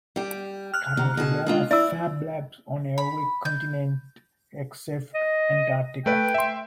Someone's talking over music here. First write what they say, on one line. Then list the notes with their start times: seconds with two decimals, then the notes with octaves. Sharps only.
Currently there are Fab Labs on every continent except Antarctica.
0.16 G3 G4
0.74 F6 F#6
0.97 G#2 C3
1.17 B2 G#4 A5
1.46 G#3 D4 F4
1.71 E4 D5 E5 E6
2.98 B5
3.45 G6
5.14 D#5
6.06 A3 B4 G5
6.34 E5 C6